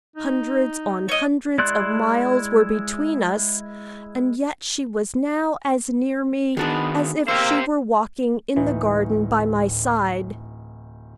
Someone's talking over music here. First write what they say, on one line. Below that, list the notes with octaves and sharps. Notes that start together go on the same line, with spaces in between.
Hundreds on hundreds of miles were between us--and yet she was now as near me as if she were walking in the garden by my side!
D#4
C#5 D#5
G#3 E4 D5 C6 F#6
D#3 B3 D4 F#4 G#4
A#3 G4 C5 C#6 E6
D1 D2 A2 E3 D#4